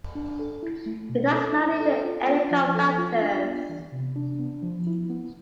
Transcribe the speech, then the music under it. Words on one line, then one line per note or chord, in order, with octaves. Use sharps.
It does not need any cofactors.
D4
A4
E4
A3
B2
A4
E4
A4
F4
B3
F3
A4
F4
D4
B3
E3
C3
D4
B3
F3
E4
B3